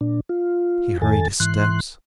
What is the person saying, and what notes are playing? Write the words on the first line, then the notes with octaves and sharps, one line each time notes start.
He hurried his steps.
A#2 D4
F4
F2 D#3 A4 G#5 A6
G#2 E3 C6 F#6